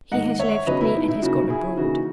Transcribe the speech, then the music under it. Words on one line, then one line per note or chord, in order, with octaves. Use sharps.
"He has left me, and has gone abroad."
G#2 D#3 A#3 D#5 F#5
C#5 E5
C#3 F#3 B3 B4 D#5
E4
D#4
E4
C#3 F#3 A#3 D#4 F#4
E4 G#4
C#3 E3 A#3 D#4 F#4